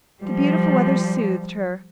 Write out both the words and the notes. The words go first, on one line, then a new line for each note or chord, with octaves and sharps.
The beautiful weather soothed her.
F3 G3